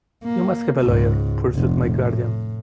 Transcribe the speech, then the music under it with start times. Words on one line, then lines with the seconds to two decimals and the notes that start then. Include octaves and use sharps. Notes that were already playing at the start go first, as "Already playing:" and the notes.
"You must have a lawyer," pursued my guardian.
0.24 A#3
0.81 C#2 G#2
1.55 F1
1.83 A2